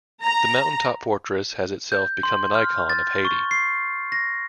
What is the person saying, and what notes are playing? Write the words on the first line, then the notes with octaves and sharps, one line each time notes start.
The mountaintop fortress has itself become an icon of Haiti.
A#5
G6
C6
F6
A6
C#6
C7
A#6